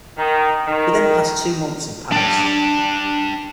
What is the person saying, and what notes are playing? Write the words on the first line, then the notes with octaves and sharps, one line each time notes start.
He then passed two months in Paris.
D#3
D#3
D4 G5